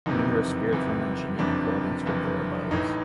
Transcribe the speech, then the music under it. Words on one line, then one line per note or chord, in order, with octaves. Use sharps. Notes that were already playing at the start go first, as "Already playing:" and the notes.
Numerous spirits were mentioned in accordance with their abodes.
F#1 F2 C3 E3 D#4
F#1 F2 C3 E3
F#1 F2 C3 E3 D4
F#1 F2 C3 E3
A1 A2 E3 D#4